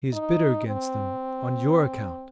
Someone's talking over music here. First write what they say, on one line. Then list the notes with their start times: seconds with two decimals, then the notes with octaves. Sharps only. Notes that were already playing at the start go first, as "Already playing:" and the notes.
He is bitter against them on your account.
0.13 D#4
0.67 C4